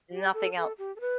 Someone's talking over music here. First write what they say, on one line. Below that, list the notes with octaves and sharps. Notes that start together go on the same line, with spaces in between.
Nothing else.
G4
A4
A4
G4
A4
B4